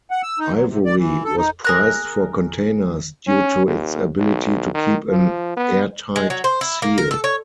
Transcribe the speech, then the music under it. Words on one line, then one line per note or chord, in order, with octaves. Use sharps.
Ivory was prized for containers due to its ability to keep an airtight seal.
F#5
E6
D#4
F#3
C3
D5
E3
A4
D#4
G#4 A#4 F#6
C#4
D#2
B1
D#3
F3
B3
G#3
F#3
C5
E4
A#3
A#4
A4
C#5